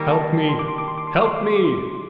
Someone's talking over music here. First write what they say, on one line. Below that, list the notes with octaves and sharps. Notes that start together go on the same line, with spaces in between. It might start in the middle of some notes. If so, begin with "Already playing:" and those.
Help me! help me!'
Already playing: D#3 G3 A#3 G5
A5
C6
D6
C6
D6
C6
D6
C6
D6
C6
D6
C6
D6
C6